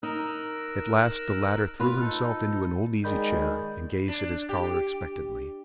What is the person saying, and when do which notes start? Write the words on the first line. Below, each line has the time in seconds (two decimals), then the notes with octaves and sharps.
At last the latter threw himself into an old easy chair and gazed at his caller expectantly.
0.03 D#4 A#4 E6 F#6
1.80 F4 B4 F6
2.01 D#4 A4
3.04 D#3 G#3 D5 B5 G6
4.08 D4
4.49 G4